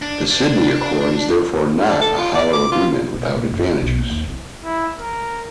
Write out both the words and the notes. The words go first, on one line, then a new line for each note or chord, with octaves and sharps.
The Sydney Accord is therefore not a hollow agreement without advantages.
D4
D4
D4
A4
F4
D5
D6
F4
B2
A#2
F#1
E4
B1
A#3
D#2
C2
E4
A#4